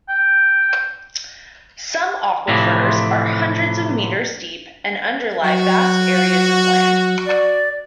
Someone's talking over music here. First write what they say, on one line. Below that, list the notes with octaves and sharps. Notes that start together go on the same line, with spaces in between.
Some aquifers are hundreds of meters deep and underlie vast areas of land.
G5
A2 C3 E3 F3
F#3 F#4
D5